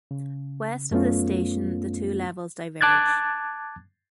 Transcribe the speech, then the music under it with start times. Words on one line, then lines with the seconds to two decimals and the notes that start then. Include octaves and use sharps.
West of this station, the two levels diverge.
0.11 C#3
0.91 F#2 A3 B3 C#4 F4
2.81 A5 D6 F#6 G#6 A6